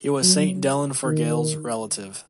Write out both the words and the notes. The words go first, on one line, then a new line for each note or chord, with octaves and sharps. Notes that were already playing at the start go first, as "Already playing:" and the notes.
He was St. Dallan Forgaill’s relative.
F#3
D#3